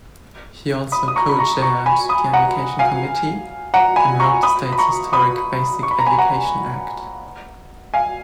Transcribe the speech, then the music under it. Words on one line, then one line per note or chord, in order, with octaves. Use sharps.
He also co-chaired the Education Committee and wrote the state's historic Basic Education Act.
B5 D#6
D#6
A#5 C#6
B5
A#5 C#6
A#5 C#6
G#5 B5
B5 D#6
F#5 A#5
F5 G#5
F#5 A#5
G#5 B5
A#5 C#6
B5 D#6
B5
A#5 C#6
B5 D#6
C#6
B5
A#5
G#5 B5
F#5 A#5
F5 G#5